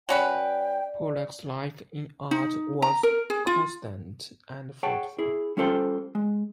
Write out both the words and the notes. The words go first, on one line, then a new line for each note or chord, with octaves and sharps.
Pollack's life in art was constant and fruitful.
F#3 C#4 B4 D5 G5
D#4
A#5
A#4
G#4
F4
G#4 C#5 F#5 G5 A5
E4 G#4
G3 C#4 F4 A4 C5 G5
G#3